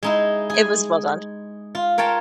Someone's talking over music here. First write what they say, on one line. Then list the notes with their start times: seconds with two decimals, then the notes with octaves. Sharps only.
it was well done.
0.03 G#3 D#4 E4
0.50 G#4 G#5
1.75 F4
1.98 A#4 C#5 F5 G5 A5